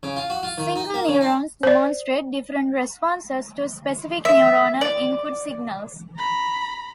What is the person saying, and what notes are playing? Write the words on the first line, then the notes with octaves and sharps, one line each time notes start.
Single neurons demonstrate different responses to specific neuronal input signals.
C#3
F4
F#4
F4
D#3
D#4
A#3
C#3
D4
C5 D5
E5
D5
A#5 B5